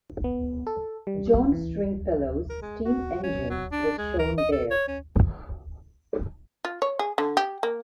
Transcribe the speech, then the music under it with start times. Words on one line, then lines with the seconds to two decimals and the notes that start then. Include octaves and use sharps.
John Stringfellow's steam engine was shown there.
0.24 B3
0.67 A4
1.07 G3
1.52 E3
2.49 A#4
2.62 G#3
2.85 F#4
3.23 C#4
3.50 F#3
3.72 D4
3.98 G#3
4.19 A#4
4.38 D#5
4.52 A4
4.71 C#5
4.88 C#4
6.65 F4
6.82 C#5
6.99 G#4
7.18 D3
7.37 G4
7.63 A#3